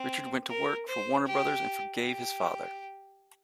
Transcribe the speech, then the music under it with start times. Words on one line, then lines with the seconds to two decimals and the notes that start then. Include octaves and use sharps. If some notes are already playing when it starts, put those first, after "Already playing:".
Richard went to work for Warner Brothers and forgave his father.
Already playing: C4
0.49 A#4
0.88 C5
1.26 G4
2.03 G4